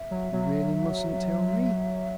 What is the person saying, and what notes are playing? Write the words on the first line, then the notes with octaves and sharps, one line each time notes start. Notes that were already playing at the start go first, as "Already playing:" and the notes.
"You really mustn't tell me?"
Already playing: E5
F#3
F#3